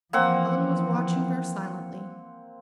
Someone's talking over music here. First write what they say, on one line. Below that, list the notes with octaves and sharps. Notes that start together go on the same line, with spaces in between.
Ellen was watching her silently.
E3 F3 A#3 C4 F#5